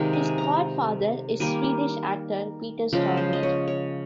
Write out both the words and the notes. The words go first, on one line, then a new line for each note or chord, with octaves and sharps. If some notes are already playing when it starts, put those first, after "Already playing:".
His godfather is Swedish actor Peter Stormare.
Already playing: C3 D#3 G#3 F5
G#5
A#5
D#3 G3 A#3 G#5
C#3 F3 G#3
C5
D#5
C#5
C#5